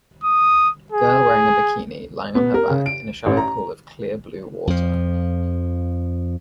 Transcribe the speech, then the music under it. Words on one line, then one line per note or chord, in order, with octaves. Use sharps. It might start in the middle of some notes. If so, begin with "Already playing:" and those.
Girl wearing a bikini lying on her back in a shallow pool of clear blue water.
D#6
G#4
B3
A#4
C#3
D7
A1
A#5
F2 F3